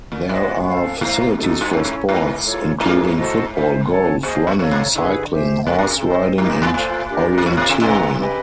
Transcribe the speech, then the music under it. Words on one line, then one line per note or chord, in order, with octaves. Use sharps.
There are facilities for sports including football, golf, running, cycling, horse-riding and orienteering.
A#2
A2 C5 D#5 F#5
A4 C5 F5 G#5
G#2 C5 F5 A#5
D#4 F#4 A4
G2
G#2 C#4 E4 A4
G#2
G#2 B4 D#5 G#5
F4 A4 C#5
G#2 D4 F4 G#4 B4
F#4 A4 C5 D#5
C5 E5 G#5
A4 C#5 F#5 A5
A#2 G#4 C5 D#5
G#2
A#2
A#2 A4 C#5 F5 A#5
B2
C3
D3 E4 G#4 B4
G4 C5 E5 G#5
A2 D4 F#4 A#4
B2
C3
A4 C5 D#5
G#2 D#4 G4 A#4 D#5
A2
A2
A2 F4 A4 C5
D4 G4 A#4
B2
A#2 F4 A#4 C#5 F5
B2
C3
C3 B4 D#5 F#5 A#5
G4 B4 D#5 G#5